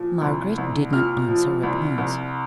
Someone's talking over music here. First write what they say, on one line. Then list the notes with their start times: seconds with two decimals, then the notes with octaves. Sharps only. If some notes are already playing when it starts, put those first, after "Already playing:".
Margaret did not answer at once.
Already playing: A#2 F3
0.22 C2
0.58 C2
0.93 A#2 F6
1.28 F3
1.63 C2
1.98 C2